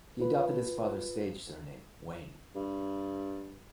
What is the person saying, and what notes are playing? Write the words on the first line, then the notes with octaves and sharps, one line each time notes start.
He adopted his father's stage surname, Wayne.
F4 B4
G2